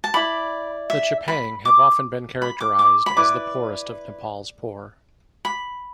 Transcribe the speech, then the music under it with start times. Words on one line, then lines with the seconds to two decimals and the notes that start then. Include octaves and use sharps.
The Chepang have often been characterized as the poorest of Nepal's poor.
0.04 A5
0.14 E4 D5 B5
0.90 E5
1.28 B5
1.65 D6
2.42 B5
2.60 D6
2.79 D6
3.06 B5
3.17 E4 B4 D5 D6
5.45 B5